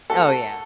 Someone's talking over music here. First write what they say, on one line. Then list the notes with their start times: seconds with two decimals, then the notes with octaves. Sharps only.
Oh, yeah.
0.10 F#4 A4